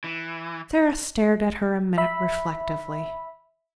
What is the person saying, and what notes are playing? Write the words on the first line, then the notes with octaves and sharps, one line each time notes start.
Sara stared at her a minute reflectively.
E3
E5 B5